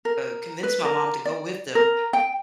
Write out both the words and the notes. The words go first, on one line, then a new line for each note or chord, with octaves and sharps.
uh, convince my mom to go with them,
A#4
B4
A#4
D5
A#4
G5